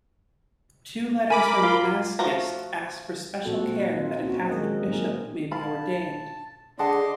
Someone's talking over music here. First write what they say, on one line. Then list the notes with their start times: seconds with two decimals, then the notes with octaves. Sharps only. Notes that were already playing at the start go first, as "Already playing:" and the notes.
Two letters from Damasus asked for special care that a Catholic bishop maybe ordained.
1.30 A#4 G#5 B5 D6
1.63 F4
2.19 F3 A3 F4 F#4 A#5
3.45 A#2 F3 C4 F#4 A4
3.96 C4 D#4 F4
4.23 C4 C#4 F4 F#4
4.50 D#3 G#3 A#4 D#5
4.87 A#2 C4 D#4 G#4 A#4
5.51 F5 A5 B5
6.79 D3 G#4 D#5 F#5 A5 C6 D6